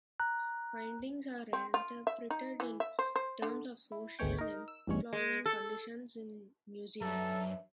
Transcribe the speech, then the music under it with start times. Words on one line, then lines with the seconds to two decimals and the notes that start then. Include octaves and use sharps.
Findings are interpreted in terms of social and employment conditions in New Zealand.
0.20 A#5 F#6
1.53 C4
1.74 F4
2.07 E5
2.30 D#4
2.60 E3
2.80 E5
2.99 C5
3.16 C5
3.42 D3
3.92 E4
4.19 G#1 D2 G#3 A3 C#5 G5
4.39 D#4 A#4
4.68 E6
4.87 A1 E2 G2 G#3 C#5
5.13 G#3
5.46 A4
7.01 F#2 D4 A4 B4 E5